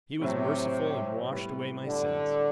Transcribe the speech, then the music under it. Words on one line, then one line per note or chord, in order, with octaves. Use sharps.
He was merciful and washed away my sins.
A2 C3 F#3 A3 C4
A2 G3 B3
D3